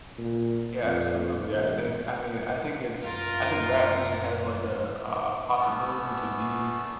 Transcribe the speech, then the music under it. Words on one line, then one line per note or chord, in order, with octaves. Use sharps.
Yeah, absolutely, I think I mean, I think it's I think rap music has, like, a a possibility to be
A#2
F2
E1
F#2 F4 A#4
A3 B3 C#4 D5 E6